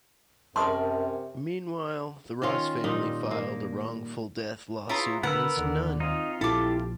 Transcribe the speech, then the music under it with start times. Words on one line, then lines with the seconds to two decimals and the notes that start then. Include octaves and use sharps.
Meanwhile, the Ross family filed a wrongful-death lawsuit against Nunn.
0.56 F#2 C3 A#4 D5 A5 C6 C#6 D#6
2.42 D#3 C#4 F4 C#5
2.84 A#2 G3 D#4
3.31 A#3
4.89 E4 F4 G#4 B4 C#5 A#5
5.23 D3 B3 A#4 B4 F#5 E6
5.57 D#2 D3 D#3
6.00 C4 D#4 F4
6.41 A#1 E4 G4 A4 D6